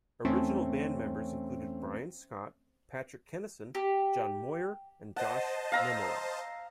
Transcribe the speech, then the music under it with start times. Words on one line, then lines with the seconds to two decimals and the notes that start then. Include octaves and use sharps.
Original band members included Bryan Scott, Patrick Kennison, John Moyer and Josh Memolo.
0.25 E2 A3 C4 C#4
3.75 G4
5.16 C5 D#5 F#5 A5
5.72 F5 A#5 E6